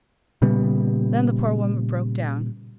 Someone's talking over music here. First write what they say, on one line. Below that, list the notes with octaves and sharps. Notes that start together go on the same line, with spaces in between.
Then the poor woman broke down.
A#2 C#3 G3 B3